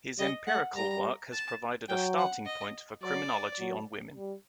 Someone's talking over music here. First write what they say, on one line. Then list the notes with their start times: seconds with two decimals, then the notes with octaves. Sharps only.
His empirical work has provided a starting point for criminology on women.
0.19 G3 D#5
0.47 A3 F#5
0.75 G3 A#5
1.32 A5
1.89 F#3 G5
2.18 F#5
2.46 D#5
3.03 F#3 D5
3.59 F#3
4.17 G3